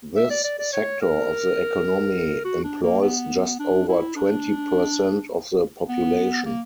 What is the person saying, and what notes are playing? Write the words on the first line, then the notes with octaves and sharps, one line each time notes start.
This sector of the economy employs just over twenty percent of the population.
E5
D5
D5
D5
C#5
A#4
F#4
D4
A#3
B3
D4
E4
D4
B3
A#3